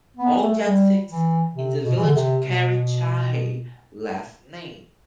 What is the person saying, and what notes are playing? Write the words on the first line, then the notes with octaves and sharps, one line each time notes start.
All Jatt Sikhs in the village carry shahi last name.
B3
A3
G3
E3
C3
B2
E3
D3
C3
B2